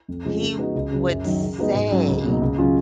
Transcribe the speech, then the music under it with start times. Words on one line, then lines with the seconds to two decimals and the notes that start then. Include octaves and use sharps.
he would say
0.08 F2
0.25 C#3 F3 G#3
0.41 C#3
0.58 G#3 B3 D#4 F#4
0.75 C#2
0.91 C#3 F#3 C#4
1.08 F#2
1.25 D#3 F#3
1.41 C#3
1.58 G#3 B3 D#4 F#4
1.74 G#2
1.91 F#3 C#4
2.08 C#2
2.24 B2 F#3 A#3 D#4
2.41 C#2
2.58 C#3 F#3 C#4 F4